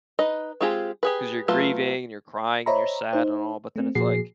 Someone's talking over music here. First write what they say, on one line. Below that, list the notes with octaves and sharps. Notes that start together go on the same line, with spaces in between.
'cause you're grieving and you're crying and you're sad and all, but then it's like
D#4 B4 D#5
G#3 C4 F4 G4 G#4
G4 G#4 B4
F#3 A3 F4 B4
C5 C#5 D#5 E5 A#5 B5
D#4 C5
A3 C4
A#2 F3 F#4 G#4 C7